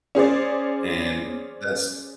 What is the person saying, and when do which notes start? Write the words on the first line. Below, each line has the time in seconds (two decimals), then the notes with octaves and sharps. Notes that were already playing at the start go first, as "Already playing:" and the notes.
and that's
0.15 C#4 G#4 C5 D5